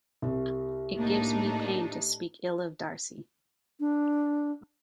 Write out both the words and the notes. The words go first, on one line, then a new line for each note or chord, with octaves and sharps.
It gives me pain to speak ill of Darcy.
C2 G4 E5
A2 A#3 D4 D#4
D4